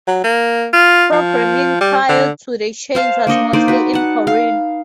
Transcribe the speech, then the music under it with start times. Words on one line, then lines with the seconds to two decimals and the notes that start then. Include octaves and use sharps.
Programming prior to the change was mostly in Korean.
0.07 F#3
0.24 A#3
0.73 F4
1.12 F3
1.81 G3
2.09 D3
2.95 C5 F5 A5
3.27 A#3 D4 D#5 C#6
3.53 A#3 D#4 C5 D5
3.68 F#4 B4
3.93 F#5 A5
4.27 F5